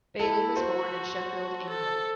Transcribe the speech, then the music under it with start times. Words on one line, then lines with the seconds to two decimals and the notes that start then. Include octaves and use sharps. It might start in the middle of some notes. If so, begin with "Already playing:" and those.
Bailey was born in Sheffield, England.
0.19 E4 A4
0.56 F#4 C5
1.69 A4